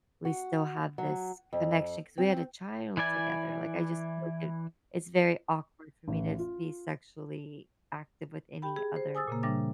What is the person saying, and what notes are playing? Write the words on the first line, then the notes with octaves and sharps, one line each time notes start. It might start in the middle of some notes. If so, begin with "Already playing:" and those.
we still have this connection 'cause we had a child together, like, I just feel like it it's very awkward for me to be sexually active with any other
F#4
F#3
F2
C4
E3 E4 D5 G#5
A1
F4
G4 G5 B5
G#4
C5
G#5 D#6 E6 A6
A#2 C#3 A#3
C#3 E3 G3 D4 D6 A6